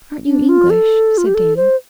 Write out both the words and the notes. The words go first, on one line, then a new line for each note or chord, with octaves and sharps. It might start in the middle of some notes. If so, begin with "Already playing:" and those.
'Aren't you English?' said Dan.
D4
F4
A4
F4
G4
A4
C5